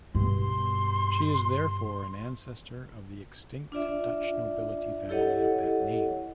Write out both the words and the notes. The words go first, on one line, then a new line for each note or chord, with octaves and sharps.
She is therefore an ancestor of the extinct Dutch nobility family of that name.
G2 B2 C6
D4 F4 D5 E5
E4 G4 A4 C#5 D#5 F#5